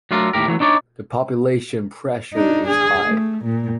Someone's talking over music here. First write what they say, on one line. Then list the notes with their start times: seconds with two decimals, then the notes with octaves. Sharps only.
The population pressure is high.
0.11 F#3 A3 D4 F4 A4 A#4
0.33 D#2 A2 G4 A#4
0.48 E3 F#3 A3
0.60 D4 D#4 C#5 D5
2.33 D4 D#4
2.68 G#4
3.05 A3
3.45 A#2